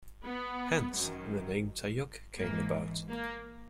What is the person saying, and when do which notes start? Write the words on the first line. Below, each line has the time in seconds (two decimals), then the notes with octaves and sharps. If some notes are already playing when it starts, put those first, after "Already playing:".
Hence, the name Tayug came about.
0.23 B3
0.94 F#2 D#3
2.38 G#2 E3 A#3
3.10 A#3